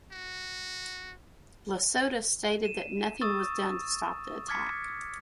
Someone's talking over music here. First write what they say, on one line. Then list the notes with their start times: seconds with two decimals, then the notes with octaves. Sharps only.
Lasota stated that "nothing was done to stop the attack".
0.12 F#4
2.64 D#7 E7
3.21 C#6 D#6 E6 A6
4.48 D6 F6 G#6 A6 B6 C#7